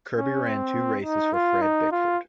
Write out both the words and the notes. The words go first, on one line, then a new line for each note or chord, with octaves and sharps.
Kirby ran two races for Fred Bickford.
C#4
C4
D#4
F4
D#4
F4